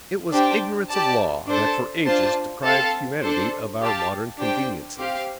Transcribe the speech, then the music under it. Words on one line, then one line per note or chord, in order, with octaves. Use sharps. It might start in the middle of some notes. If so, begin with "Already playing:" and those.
It was ignorance of law that for ages deprived humanity of our modern conveniences.
D4 G4 C5 G5
G4 D5 A5
D4 A4 C5 A5
D4 F4 C5 A5
C4 A4 F5 A5
D4 A4 C5
G4 F5 A5
D4 G4 C5 G5
C4 G4 F5